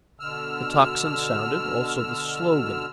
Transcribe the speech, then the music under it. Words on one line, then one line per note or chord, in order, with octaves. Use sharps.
The tocsin sounded, also the slogan.
B2 D3 E6 F6